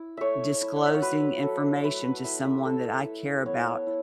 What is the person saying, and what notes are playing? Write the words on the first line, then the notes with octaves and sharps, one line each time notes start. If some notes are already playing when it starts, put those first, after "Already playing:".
disclosing information to someone that I care about
Already playing: E4
A3 C#5 E5
E4
F#5
E5
C#5
F#3 B4
F#3 A4
A3 B4
B4
E4 E5
E5
A3 A4
E4
B3 C#5
E4